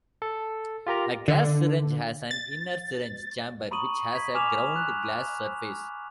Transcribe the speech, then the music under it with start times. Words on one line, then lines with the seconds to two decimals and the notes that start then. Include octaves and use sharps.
A gas syringe has an inner syringe chamber which has a ground glass surface.
0.22 A4
0.87 F4 G4 A#4 A#5
1.28 D3
2.31 A6
3.71 A#5 B5 C#6 D#6 D#7 F#7
4.13 G#6 B6
4.34 G#5 D6 F6 E7 F7
4.76 F#6